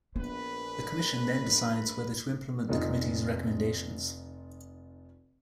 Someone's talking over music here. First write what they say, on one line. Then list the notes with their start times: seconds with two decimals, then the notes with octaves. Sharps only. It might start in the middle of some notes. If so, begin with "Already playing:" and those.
The Commission then decides whether to implement the Committee's recommendations.
0.16 A#1 B3 B4
2.69 F1 D#4 F4